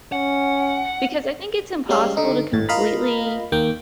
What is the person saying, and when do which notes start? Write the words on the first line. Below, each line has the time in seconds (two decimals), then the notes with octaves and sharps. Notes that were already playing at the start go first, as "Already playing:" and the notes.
because I think it's impossible to completely
0.12 C#4 F#5
1.89 G3 G#3 C#4 G4 F5
2.17 D3 D#4
2.53 G#1 A2 A6
2.69 F4 A#4 D#5 F5 A#5 B5
3.52 D#2 A#3 G5